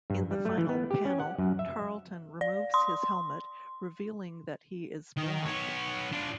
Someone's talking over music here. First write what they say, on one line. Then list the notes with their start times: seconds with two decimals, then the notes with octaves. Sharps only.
In the final panel Tarlton removes his helmet, revealing that he is black.
0.10 G2
0.31 G3
0.45 A3
0.58 E3
0.69 B3
0.91 G4
1.05 C#4
1.20 F#5
1.39 F#2
1.59 E5
2.41 D5
2.74 C6
5.17 D#3 D#5
5.45 B3 C#5
6.12 D4 F4